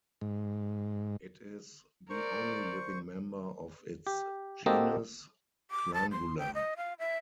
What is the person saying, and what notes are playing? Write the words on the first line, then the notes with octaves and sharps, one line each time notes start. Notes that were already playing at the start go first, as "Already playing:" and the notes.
It is the only living member of its genus, "Clangula".
G#2
A#4 C5 D5 C#6
G4
A#3 C4 F#4 G4 A4 D#5
D6
A5
C6
G5
D#5
F5
E5